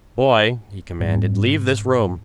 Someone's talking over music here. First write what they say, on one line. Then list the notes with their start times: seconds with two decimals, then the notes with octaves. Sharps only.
"Boy," he commanded, "leave this room!"
1.00 G#2 G3 C4